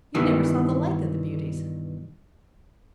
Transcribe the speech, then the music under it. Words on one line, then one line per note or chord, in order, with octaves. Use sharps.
You never saw the like of the beauties!
G2 B2 D#3 E3